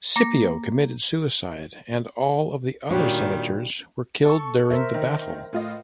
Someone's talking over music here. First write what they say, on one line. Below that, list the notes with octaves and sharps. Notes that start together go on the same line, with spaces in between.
Scipio committed suicide and all of the other senators were killed during the battle.
A#3 D6 A#6
A#2 D#3 G3 D4 F#4 C#5
A4 C#6
A#4 C5 E5
D#3
A2 F4 D#5